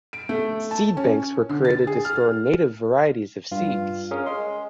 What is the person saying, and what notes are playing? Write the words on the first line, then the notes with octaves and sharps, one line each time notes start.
Seed banks were created to store native varieties of seeds.
D7
A3
A5
C#4
D3
A6
G#4
F6
G2 F4
C#4 G#4 A#4
G#3 C6